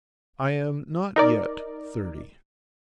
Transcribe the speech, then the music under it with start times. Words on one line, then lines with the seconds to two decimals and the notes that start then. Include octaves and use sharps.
'I am not yet thirty.'
1.16 D#4 A#4 D5